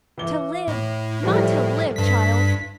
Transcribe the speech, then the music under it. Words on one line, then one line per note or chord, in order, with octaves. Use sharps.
"To live--not to live, child!"
E3 G7
A2
F3 G3 A3
G2 B6